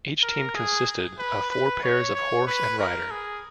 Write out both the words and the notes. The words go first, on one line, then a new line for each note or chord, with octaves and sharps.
Each team consisted of four pairs of horse and rider.
A#4
G#4
B4
B4
C#5
C#5
B4
A#4
G#4